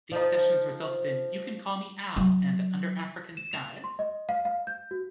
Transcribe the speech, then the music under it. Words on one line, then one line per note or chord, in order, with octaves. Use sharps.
These sessions resulted in "You Can Call Me Al" and "Under African Skies".
F3 D#4
F#3
E7
F7
C6
D#5
F5
F5
G6
F#4